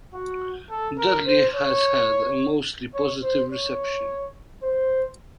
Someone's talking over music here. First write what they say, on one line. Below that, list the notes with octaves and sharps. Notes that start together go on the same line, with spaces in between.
Dudley has had a mostly positive reception.
F#4
A4
A#4
C5
C#5
C#5
C5
C#5
C5